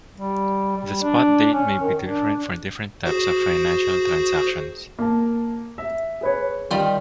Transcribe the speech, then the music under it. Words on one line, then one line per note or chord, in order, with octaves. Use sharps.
The spot date may be different for different types of financial transactions.
G3
G3
D4
C#4
D#3
D4
F#4 G#4 C5
A#3 A5
E5
G#4 B4 C#5
D#3 G3 F4 G5